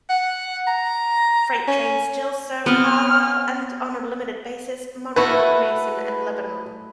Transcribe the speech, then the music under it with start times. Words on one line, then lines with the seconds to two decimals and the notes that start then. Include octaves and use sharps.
Freight trains still serve Carlisle, and on a limited basis, Monroe, Mason, and Lebanon.
0.10 F#5
0.67 A#5
1.68 C#4
2.66 B3 C4 F6
5.16 A3 E4 F#4 B4